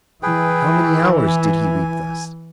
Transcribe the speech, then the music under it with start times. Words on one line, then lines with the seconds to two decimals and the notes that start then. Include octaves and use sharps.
How many hours did he weep thus?
0.23 E3 G#4 B4 G5
1.27 G#5